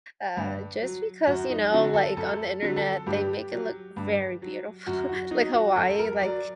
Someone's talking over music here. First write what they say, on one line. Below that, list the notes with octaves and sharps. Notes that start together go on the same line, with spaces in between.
uh, just because, you know, like, on the Internet, they make it look very beautiful. Like Hawaii, like,
G2
F#3
F#2 F#4
D#4
D3 F#3 F#4
A4
F#2 A4
D3 F#3
A4
G2 G4
F#3
G2
F#3
F#2 F#4
F#4
F#3 D#4
F#4
F#2 A4
A#4
F#3 D5